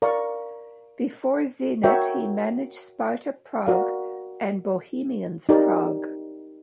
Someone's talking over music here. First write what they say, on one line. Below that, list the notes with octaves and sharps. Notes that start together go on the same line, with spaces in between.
Before Zenit he managed Sparta Prague and Bohemians Prague.
A#4 D5 F5 A#5 C#6
F#4 A#4 C#5 E5 G5
F#4 A#4 D5 F5
D#4 G4 A#4 D5